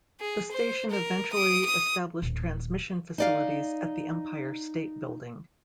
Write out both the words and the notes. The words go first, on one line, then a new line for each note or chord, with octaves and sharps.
The station eventually established transmission facilities at the Empire State Building.
G#4
C5
A#4
D#6 D7
D#6
D#1
D#4 D5 F5